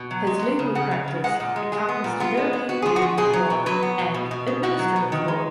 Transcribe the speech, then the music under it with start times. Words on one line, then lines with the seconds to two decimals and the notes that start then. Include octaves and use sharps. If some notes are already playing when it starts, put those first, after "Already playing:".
His legal practice encompassed European Union law and administrative law.
Already playing: B2
0.11 F#3
0.27 G#3
0.43 B3
0.59 C#3
0.75 C#3 F#5
0.91 C#3
1.08 C#3
1.24 G#3 F#5
1.40 A#2
1.56 G#3
1.72 G#3 G#4
1.88 B3
2.04 A#2
2.20 B3 F4
2.37 G#3
2.53 B3
2.69 B3 F#4
2.82 F3 G#4
2.96 F#4
3.02 F3
3.17 B2 G#4
3.33 F#3
3.50 B2
3.66 F#3 B4
3.82 B3
3.99 B2
4.14 B2
4.31 B2
4.47 B2
4.63 B2 F#4
4.79 F#3
4.96 B2
5.12 D#3
5.28 G#3